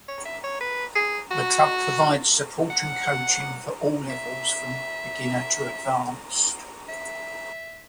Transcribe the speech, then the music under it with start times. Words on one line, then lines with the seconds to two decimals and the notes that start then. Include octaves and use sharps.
The club provides support and coaching for all levels from beginner to advanced.
0.08 C#5
0.25 E5
0.43 C#5
0.60 B4
0.95 G#4
1.31 F#4
2.70 F#5
4.10 E5
6.89 E5